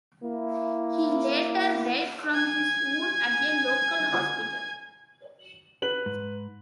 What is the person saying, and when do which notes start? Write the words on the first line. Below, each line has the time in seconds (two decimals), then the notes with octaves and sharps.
He later died from his wound at a local hospital.
0.23 A#3 E4
2.34 G#5 G#6
5.82 B4 F#7
6.06 G#2